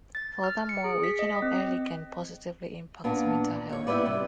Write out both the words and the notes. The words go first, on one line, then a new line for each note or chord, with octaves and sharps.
Furthermore, waking up early can positively impact mental health.
A6
F6
C#7
G#4
B6
D#5
C4
A#2 B3 D4
D#2 C#5
B3 E4 G4 B4 D5
C3 G3